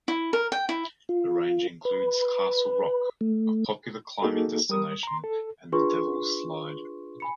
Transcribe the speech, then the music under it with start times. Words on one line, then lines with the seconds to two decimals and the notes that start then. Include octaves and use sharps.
The range includes Castle Rock, a popular climbing destination, and the Devils Slide.
0.08 E4
0.33 A#4
0.52 G5
0.69 E4
1.09 F4
1.85 B4
3.21 A3
4.22 A#3 D#4 F#4 G#4 A4
4.70 G3 A#4 D#6
5.03 A#5 C6
5.24 A4
5.72 D4 F4 G#4 B4 C6 C#6
7.20 G#5 B5 C#7